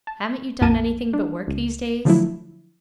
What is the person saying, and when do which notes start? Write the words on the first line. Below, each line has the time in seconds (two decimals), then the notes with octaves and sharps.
'Haven't you done anything but work these days?'
0.07 A5
0.61 A#1 F2 A#3 A#4 A5 D#7
1.13 D4
1.47 C#2
2.05 D3 F3 F#3 A3 E4